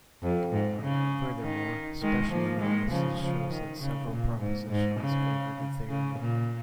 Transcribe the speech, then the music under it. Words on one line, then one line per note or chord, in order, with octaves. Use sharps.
Furthermore, special analysis show that several propositions favour the theory.
F2
G#2
C#3
D#3
D#3 G#3
F3 A#3
D#3 G#3
C#3 F3
C#3 F3
D#3
C#3
A#2
G#2
G#2
C#3
C#3
A#2